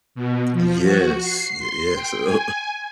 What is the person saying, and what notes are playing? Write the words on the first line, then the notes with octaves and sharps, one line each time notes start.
Yes, y yes, a a uh,
B2
F3
F#4
C7
C6
G5
G#5